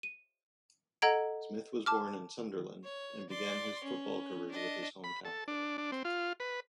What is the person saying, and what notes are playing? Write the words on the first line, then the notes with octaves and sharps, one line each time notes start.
Smith was born in Sunderland, and began his football career with his home-town club.
D#7
A4 D#5 F#5 A#5 G#6 D7
A5 D6 F6
C#5
D5 C6
C#4
D4 D#5
B5
A4
D4
D4
C4
F4
B4